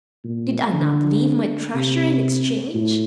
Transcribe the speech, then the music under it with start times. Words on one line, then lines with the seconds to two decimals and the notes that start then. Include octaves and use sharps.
"Did I not leave my treasure in exchange?"
0.24 A#2
0.74 D3
1.74 C3
2.75 A2